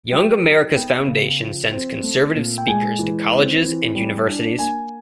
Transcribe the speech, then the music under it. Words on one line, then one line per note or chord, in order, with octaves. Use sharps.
Young America's Foundation sends conservative speakers to colleges and universities.
F#3 G5
D#4
B3 G5
C#3
F3
C4
A3
A#2
G5
G#3 G#5
E3
C4
E3
G3
D4
A#3 G#5